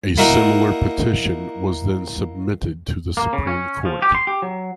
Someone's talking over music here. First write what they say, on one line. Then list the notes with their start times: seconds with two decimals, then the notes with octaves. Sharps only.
A similar petition was then submitted to the Supreme Court.
0.17 A#3 D#4 E4 F#4 A#4
3.17 A#3
3.33 C#3
3.47 C#4
3.85 F3
4.02 G4
4.15 C6
4.27 G4
4.42 F#3